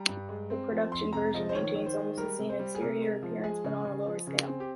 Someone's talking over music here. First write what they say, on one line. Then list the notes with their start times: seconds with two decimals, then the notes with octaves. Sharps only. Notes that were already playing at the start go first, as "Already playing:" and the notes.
The production version maintains almost the same exterior appearance, but on a lower scale.
Already playing: G3 A#5
0.09 G2
0.29 G#3
0.50 C4
0.71 F3
0.92 F2 C6
1.13 C3 A#5
1.34 F3 D#5
1.49 C5
1.55 D#3 C#5
1.75 D#3
1.86 C5
1.97 G#3
2.17 G3 A#4
2.39 C3
2.49 C5
2.59 G3
2.75 G#4
2.81 C3 A#4
3.01 G#3
3.23 F3
3.43 G#3 G#4
3.64 C#3
3.85 C#3
4.06 F3
4.27 C#3
4.47 C4
4.60 G4